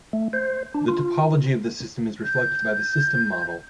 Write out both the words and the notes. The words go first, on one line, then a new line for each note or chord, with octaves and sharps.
The topology of the system is reflected by the "system model".
A3
C5
D4
F4
G6